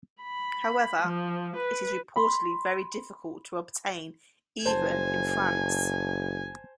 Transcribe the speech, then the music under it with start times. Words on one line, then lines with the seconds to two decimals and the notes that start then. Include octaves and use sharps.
However, it is reportedly very difficult to obtain even in France.
0.22 B5
1.02 F3
1.55 B4
2.16 B5 C6
4.66 F#1 C5 G#5 A5